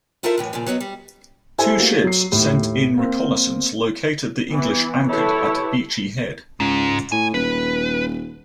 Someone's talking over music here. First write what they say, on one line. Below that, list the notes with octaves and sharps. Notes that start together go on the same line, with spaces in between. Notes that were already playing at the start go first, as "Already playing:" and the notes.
Two ships sent in reconnaissance located the English anchored at Beachy Head.
E4 F4 A4 A#4 C5 E5
F#2 A2 E3
A#2 C#3 F3
F#3 B3 D4 D#4
G3
E4 G4 A4 C5 E5 G#5
A3 A#3 F#4 G4
F#3 C7
D#2 A2
A#3 C4
E3 B3
E4 G4 A4 B4 C#5
C#2 G#2
A2 G#5
D#1 B4